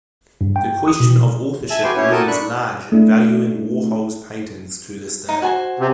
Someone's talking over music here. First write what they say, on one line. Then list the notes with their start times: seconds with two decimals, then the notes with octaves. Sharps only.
The question of authorship looms large in valuing Warhol's paintings to this day.
0.41 G2
0.56 G5
0.88 D#6
1.00 B2
1.70 E5 G#5 A5 E6
1.84 F#4 G4 B4 G5 G#5 C6
1.96 C#4 E4 G4 C#5
2.12 F#4 A4 A#4 G5 A5 D#6
2.28 D4 B5 C#6 F#6
2.92 A3 D4 E4
5.29 D#4
5.42 F#4 C5 G#5
5.79 C3